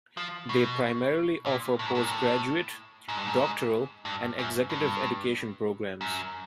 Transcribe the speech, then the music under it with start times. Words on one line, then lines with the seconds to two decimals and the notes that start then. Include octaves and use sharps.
They primarily offer postgraduate, doctoral and executive education programmes.
0.17 F3
0.49 B2
1.46 A#2
1.79 A2
1.86 G#2
1.95 A2
2.03 A#2
2.11 A2
3.08 G#2
3.17 G2
3.26 G#2
4.05 G2
4.39 F#2
4.70 G2
6.01 F#2